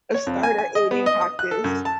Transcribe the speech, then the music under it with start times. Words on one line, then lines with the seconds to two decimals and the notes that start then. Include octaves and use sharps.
a starter aiming practice.
0.14 C#5
0.27 F2
0.43 G#5
0.58 G#5
0.75 D#5
0.91 B3
1.06 D#5
1.21 D#6
1.39 F#6
1.51 A4
1.64 F#2
1.85 A5